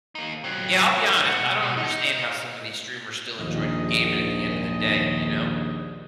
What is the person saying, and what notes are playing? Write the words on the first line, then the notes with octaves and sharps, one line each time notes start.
Yeah, I'll be honest, I don't understand how some of these streamers still enjoy j gaming at the end of the day, you know?
A#3 D#4
F#3 C4
G#3 D#4
B2 F#5
B2
D#4
A#1 D#2 D#5